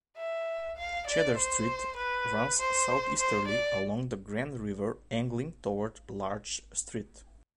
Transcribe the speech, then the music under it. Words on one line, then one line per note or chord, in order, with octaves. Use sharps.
Cedar Street runs southeasterly along the Grand River angling toward Larch Street.
E5
F5
D5
C5
B4
C5
C5
D5